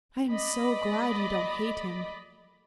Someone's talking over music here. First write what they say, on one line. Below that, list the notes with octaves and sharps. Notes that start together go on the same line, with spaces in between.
"I am so glad you don't hate him."
D5 D#5 B5